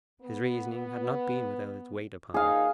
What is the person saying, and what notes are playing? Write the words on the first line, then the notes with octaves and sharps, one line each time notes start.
His reasoning had not been without its weight upon her.
B3
A#2 D#3 D#4 G#4 F5